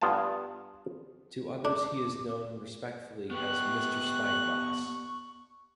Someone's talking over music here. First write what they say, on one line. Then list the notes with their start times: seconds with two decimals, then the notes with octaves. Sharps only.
To others he is known respectfully as 'Mr Spyglass.
0.01 G2 B3 F4 G#5 A5
1.65 D4 D6
3.31 B3 G4 C#6 F#6